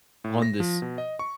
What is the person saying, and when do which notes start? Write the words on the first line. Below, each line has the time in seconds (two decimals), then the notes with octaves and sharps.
on this,
0.24 A2
0.42 A#6
0.60 F3
0.82 B2
0.98 D#5
1.19 C#6